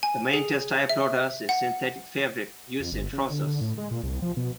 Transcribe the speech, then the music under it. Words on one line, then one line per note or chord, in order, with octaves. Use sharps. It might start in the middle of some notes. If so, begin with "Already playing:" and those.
The main textile product is synthetic fabric used in trousers.
G#5
G#4
E5
F#5
F2
G1
C#3
D3
D3
A2
G#3
A#2
C2
F3
B2